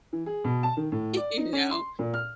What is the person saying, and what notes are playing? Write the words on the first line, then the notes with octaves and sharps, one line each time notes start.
you know,
E3
G#4
B2
A5
D#3
A2
D5
D#4
C#4
C6
A#2
F6